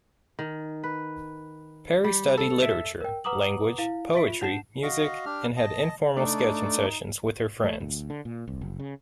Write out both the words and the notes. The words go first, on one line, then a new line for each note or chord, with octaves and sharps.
Perry studied literature, language, poetry, music and had informal sketching sessions with her friends.
D#3
B4
G3
A4
E5
A#4 G5
B4 F#5 A#5 D6 D#6 F#7
E4 F5
E5 C#6 B6 D7
F4 F7
D4 F#5 A5 C7 E7
F#4 D#5 F5
D4 G4 F6
D#5 A5
A3 D4 D#4
A3
D2
D3
A#2
C2
F#1
C#3